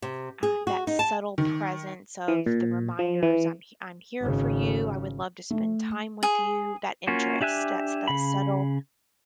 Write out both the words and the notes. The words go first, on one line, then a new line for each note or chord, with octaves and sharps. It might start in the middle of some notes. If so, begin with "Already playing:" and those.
uh that subtle presence of the reminders, "I'm he I'm here for you. I would love to spend time with you." That interest, that's that subtle
C3
G#4
F#4
D#4
A5
D#3
E3
A#2
F3
E3
G#1 C#3
A3
G#4
A#3 C#4 F4 F#4
D4 G4 E5 G#5 F#6
C#3 B5